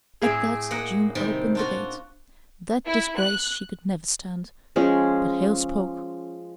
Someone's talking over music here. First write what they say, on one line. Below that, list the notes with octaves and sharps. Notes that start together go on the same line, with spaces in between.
At that June opened the gate--that disgrace she could never stand--but Hale spoke.
A2 C4 G#4
A#3 D#5 F#5
C3 D#3 G3
D4 F4 F#4
E4
F#6
F3 G#3 C#4